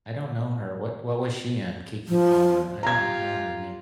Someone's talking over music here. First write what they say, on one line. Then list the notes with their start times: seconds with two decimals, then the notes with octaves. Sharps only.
I don't know her. What what was she in? Keke Palmer. I don't kn know her name.
2.09 F3
2.83 F4 G4 A#5 G#6